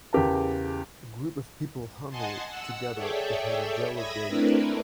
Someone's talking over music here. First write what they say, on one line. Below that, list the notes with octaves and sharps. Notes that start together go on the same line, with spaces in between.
A group of people huddled together behind a yellow gate.
E2 C#3 G4 A#4 A5
D#5 F#5 G#5 A5 C6
F#5 E6
G#4 A4 C#5 D5 E5 G5
E5 B5 D#6 G#6 A#6
A3 C4 D4 E4 A#4 B4